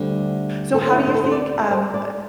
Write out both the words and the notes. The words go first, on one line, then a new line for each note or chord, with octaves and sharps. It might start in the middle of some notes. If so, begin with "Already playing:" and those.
So how do you think, um, eh,
Already playing: D2 D3 G3 C4
A4
C5
E4
D4
C5
A4
C5
D5
C5
D5